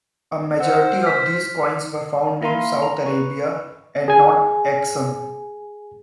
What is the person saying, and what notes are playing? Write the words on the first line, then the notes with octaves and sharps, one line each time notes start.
A majority of these coins were found in South Arabia and not Aksum.
C5 F#5 E6
F6 B6
A#3 E4 E5 F5 A#5 C6
A#5
B4 C#6
G#4 G#5